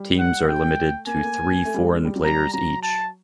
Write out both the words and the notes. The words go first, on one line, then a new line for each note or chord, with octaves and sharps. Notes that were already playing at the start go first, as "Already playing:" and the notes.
Teams are limited to three foreign players each.
Already playing: G3
F#5
A3 G5
A#3 G#5
A3
A#3
A3
G3
G#3
G#3
G3
F#3
G3 A#5
F#3 A#5
A5